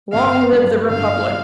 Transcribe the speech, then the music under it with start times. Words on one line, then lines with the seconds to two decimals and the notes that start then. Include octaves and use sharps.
Long live the Republic!
0.12 G1 F5
0.52 G2 D3 G3
0.90 G1 F5
1.28 G3